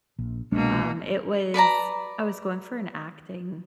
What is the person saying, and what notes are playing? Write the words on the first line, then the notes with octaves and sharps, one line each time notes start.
um, it was I was going for an acting
A#1
C2 B2 G#3 A#3 D4
B4 D5 A5 A#5